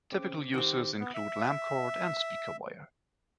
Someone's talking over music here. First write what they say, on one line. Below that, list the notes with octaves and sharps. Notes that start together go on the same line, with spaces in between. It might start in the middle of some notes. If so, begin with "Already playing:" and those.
Typical uses include lamp cord and speaker wire.
C#3 C4 D6
D#3 C4 G4 F#5
B3
E5